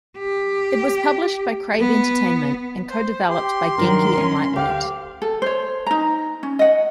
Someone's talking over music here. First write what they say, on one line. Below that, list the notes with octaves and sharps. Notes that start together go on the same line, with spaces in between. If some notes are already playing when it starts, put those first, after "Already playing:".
It was published by Crave Entertainment, and co-developed by Genki and Lightweight.
G4
B3
C5
G4 C6
D#3 F#3 D4 A#4
C#4 G#5
D2 G4 F5
A4
C5 C#5
D#4 A#5
C#4
D#5 F#5